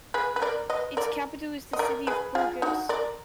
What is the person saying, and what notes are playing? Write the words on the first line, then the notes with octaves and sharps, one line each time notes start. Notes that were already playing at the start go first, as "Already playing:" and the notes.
Its capital is the city of Burgos.
G#4 B4
B4
A#4 D5
B4 D#5
A#4 D5
D#5
A#4 D5
G#4 B4
F4 G#4
D#4 F#4
A#4 D5